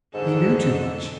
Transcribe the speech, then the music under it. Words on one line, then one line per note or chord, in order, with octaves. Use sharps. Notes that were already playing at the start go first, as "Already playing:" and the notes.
He knew too much.
F2 G#2 D3 A4